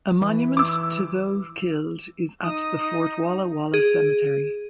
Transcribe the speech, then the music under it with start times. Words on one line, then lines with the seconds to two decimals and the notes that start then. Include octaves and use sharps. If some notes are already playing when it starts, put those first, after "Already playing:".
A monument to those killed is at the Fort Walla Walla Cemetery.
0.21 E3
0.57 D6 E6
2.44 D#4 D#6
3.74 G#4